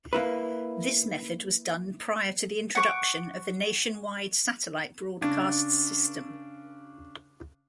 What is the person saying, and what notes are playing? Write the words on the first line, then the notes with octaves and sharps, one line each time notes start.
This method was done prior to the introduction of the nationwide satellite broadcast system.
A#3 E4 B4
F#5 C#6 D6
C#3 D4